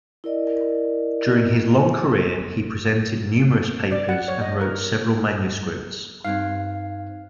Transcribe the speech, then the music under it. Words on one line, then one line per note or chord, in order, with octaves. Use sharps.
During his long career he presented numerous papers and wrote several manuscripts.
E4 A#4 D5 D#5
D5
F#5
C#5
D#5
A#4
G2 C4 D#4 F5 F#6 G#6